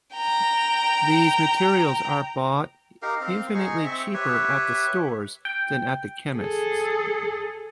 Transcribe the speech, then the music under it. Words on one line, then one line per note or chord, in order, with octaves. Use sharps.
These materials are bought infinitely cheaper at the stores, than at the chemists.
G5 A#5
D#4 G4 A#4 F5
C4 F5
D#4 G#4 C#6
C4 E5 C#6
G4 B4 C#5 E5
G5
G#4 A4